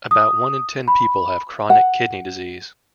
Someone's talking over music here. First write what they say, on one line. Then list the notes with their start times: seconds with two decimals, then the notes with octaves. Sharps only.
About one in ten people have chronic kidney disease.
0.11 D#6
0.88 B5
1.70 F#5